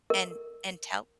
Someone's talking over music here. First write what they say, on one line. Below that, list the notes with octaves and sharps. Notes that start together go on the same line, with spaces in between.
and and tell
A#4